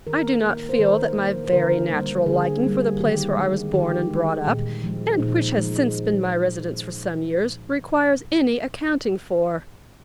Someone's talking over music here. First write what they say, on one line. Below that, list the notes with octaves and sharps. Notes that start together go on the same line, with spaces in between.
'I do not feel that my very natural liking for the place where I was born and brought up,--and which has since been my residence for some years, requires any accounting for.'
D#3 A#4
A#3
C5
D#3 A#4
A#3
C5
D3 A#4
G3 A#3
D3 G#4
G3 A#3
D#3 G4
G#3
D#3 G4
G#3
A#2
F3 G#3
A#2 D#4
F3 G#3